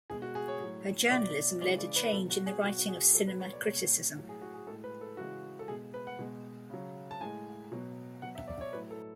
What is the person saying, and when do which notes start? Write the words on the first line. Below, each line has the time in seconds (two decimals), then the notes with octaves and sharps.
Her journalism led a change in the writing of cinema criticism.
0.10 B2 G#3 G#4
0.22 F#4
0.35 G#4
0.48 C#5
0.60 A2 F#3
1.07 E5
1.11 B2 F#3 D5
1.61 C#3 E3 G#3 D5
1.78 D5
1.96 B4
2.07 B4
2.13 B2 F#3 A4
2.30 F#4
2.46 G#4
2.63 B2 F#3 F#4
2.79 F#4
2.88 G#4
3.14 F#3 A4
3.17 B2
3.27 B4
3.40 C#5
3.53 D5
3.65 B2 G#3 C#5
4.16 A2 F#3
4.29 G#4
4.41 F#4
4.54 G#4
4.67 A2 G#3 A4
4.84 B4
5.01 A4
5.17 C#3 E3 G#3 F#4
5.59 A4
5.68 B2 G#3 G#4
5.94 B4
6.07 F#5
6.19 B2 G#3
6.70 C#3 F#3
7.11 A5
7.21 A2 G#3 G#5
7.72 B2 F#3
8.22 B2 F#3 F#5
8.35 E5
8.48 D5
8.61 C#5
8.73 A2 F#3 B4
8.91 A4